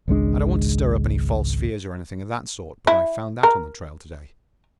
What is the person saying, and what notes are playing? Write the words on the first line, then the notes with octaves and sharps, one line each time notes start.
"I don't want to stir up any false fears, or anything of that sort--but I found that on the trail to-day!"
G#1 C#2 G#3 D4
E4
A#4